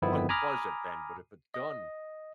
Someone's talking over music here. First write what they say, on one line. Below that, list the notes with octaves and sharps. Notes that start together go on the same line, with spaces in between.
unpleasant then, but if it's done
G1 F2 D#3 B3 C4 E4
G#5 A#5 B5 D6 D#6 F6
D#5